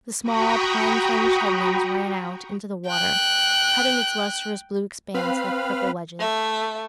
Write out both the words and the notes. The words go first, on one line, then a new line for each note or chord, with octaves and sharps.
The small, pine-fringed headlands ran out into the water, cutting its lustrous blue expanse like purple wedges.
F#4 G5 A#5 B5 C#6 D#6
G5 F#6
C4 B4 F5 B5 F6
A3 E5